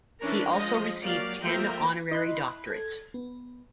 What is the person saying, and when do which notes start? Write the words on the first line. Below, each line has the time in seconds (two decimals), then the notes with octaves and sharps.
He also received ten honorary doctorates.
0.19 E3 C#4 D4 A#4 A#5
0.50 F3 G#3 D#5
1.03 F#3 A#3 G4 D5 F5
1.42 F3 A3 A#3 E5 G5 A#5
2.11 E4 D#5 B5 C6 F#6
2.67 A4 G#6
3.14 B3